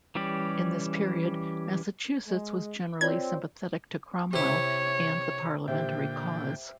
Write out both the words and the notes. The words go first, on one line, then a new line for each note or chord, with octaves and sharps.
In this period, Massachusetts was generally sympathetic to Cromwell and the Parliamentary cause.
E3 G3 C#4 G4 D5
G#3
C4 F4 C#5 D5 G#6
C3 E4 C#5
A#2 D3 G4 C5 E5 G5